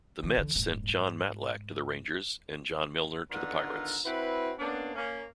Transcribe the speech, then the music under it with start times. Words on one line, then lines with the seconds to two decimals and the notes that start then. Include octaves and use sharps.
The Mets sent Jon Matlack to the Rangers and John Milner to the Pirates.
0.23 D#3
0.36 E2 D3
0.55 D1 G2
0.88 G#2
3.32 D3 D#3 B3 D4 F4 A#4
4.05 C4 E4 F#4 B4
4.59 A#3 B3 C#4 D4
4.95 A#3 C#4